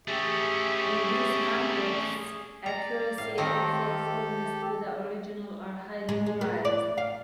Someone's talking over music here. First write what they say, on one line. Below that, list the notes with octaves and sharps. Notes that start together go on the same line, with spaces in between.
In these contexts, accuracy and faithfulness to the original are highly prized.
A3 C#4 G4 G#4 E5
G#4
D5 A#5
A2 F5
D#3 C4 G4 A4 A#4
G#3
G#3
B3
D5
F5